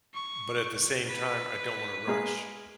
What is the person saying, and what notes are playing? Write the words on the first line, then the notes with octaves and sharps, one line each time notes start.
but at the same time, "I don't want to rush."
C#6
B4
G#3 A#3 G#4